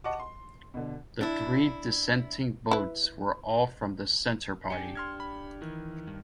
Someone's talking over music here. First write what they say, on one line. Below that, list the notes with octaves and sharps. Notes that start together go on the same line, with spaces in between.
The three dissenting votes were all from the Centre Party.
D#5 F#5 A5 C#6 D6
C6
B2 D3
D4 E4
E4 B4
D4 G4 G#5 C#7
C6 F6 G#6
B5
D#3 E3
G2